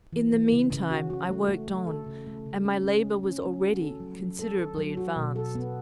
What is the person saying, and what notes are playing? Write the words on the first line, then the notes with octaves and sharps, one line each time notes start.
In the mean time I worked on, and my labour was already considerably advanced.
E3
E3
C#3
C#3
F#4
F#4
A3
A3
A3
A4
C#3
A3
C#3
C#4
C#4
A3
C#4
C#4
F#4
A4
F#3
F#3
A4
A4
F#3
F#4
B2
A4
B3